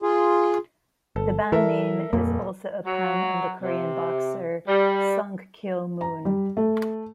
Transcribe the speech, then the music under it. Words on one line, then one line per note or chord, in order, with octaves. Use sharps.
The band name is also a pun on the Korean boxer Sung-Kil Moon.
F4 G#4
G1 A4
E3 A4 A#4 E5
D#1 F2 A#3
F#3
C3
G3
A#5
G3
A3